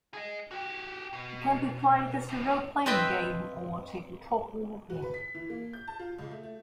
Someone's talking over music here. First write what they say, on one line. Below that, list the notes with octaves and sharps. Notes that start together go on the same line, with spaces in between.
It can be played as a role-playing game or a tabletop war game.
G#4 D#5
F#4 G4
B2
D#2 A2
C4 F4 B4 D#5 E5 G5
F#4
B4
B6
E3
A#3
G6
A5
F4
C#2
A3
A3